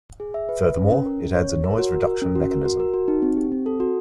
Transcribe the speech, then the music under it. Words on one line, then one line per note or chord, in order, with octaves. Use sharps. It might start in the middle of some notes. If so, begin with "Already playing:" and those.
Furthermore, it adds a noise reduction mechanism.
G#4
E5
B4
B4
C#4
C#4
A#4
C#4
C#5
C#5
A#4
F#4
A#4
A#4
C#4
F#4
A#4
F#4
A#4
F#4
D#4
C4
G4
C4
A4
F#4